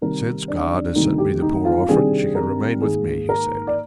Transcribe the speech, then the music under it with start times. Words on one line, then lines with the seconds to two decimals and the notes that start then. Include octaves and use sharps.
"Since God has sent me the poor orphan, she can remain with me," he said.
0.02 C3 D#3 G3 A#4
0.48 D4
0.95 D2 C3 D#3 G3 D#4
1.18 G4
1.42 D#4
1.65 F4
1.89 C3 D#3 G3 D4 G#4
2.35 A#4
2.82 G#2 D#3 A#3 G#4
3.29 A#4
3.67 D5